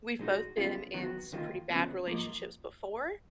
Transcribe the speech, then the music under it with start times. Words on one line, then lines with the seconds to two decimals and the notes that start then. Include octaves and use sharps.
we've both been in some pretty bad relationships before,
0.19 A#2 G#3 D#4 F#4
0.57 F#2 C#3 G#3 B3 F4
0.94 D#3 F#3 B3 F#4
1.32 D#2 D#3 A#3 F4
1.70 C#2 C#3 F3 B3
2.07 G#2 F3 A#3